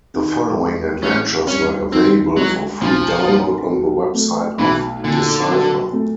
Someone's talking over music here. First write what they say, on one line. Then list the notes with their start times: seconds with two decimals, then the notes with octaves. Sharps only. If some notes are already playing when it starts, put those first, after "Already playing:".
The following adventures were available for free download on the website of Decipher.
0.14 D#3
0.59 G#3
1.03 A1 C#4
1.48 G2 C#4
1.92 D#3 C4
2.36 F#3 G#3
2.81 B1 F3
3.25 A#2
3.70 F#3
4.14 A3
4.59 B1 E3
5.04 A#2 D3
5.48 F#3
5.93 A3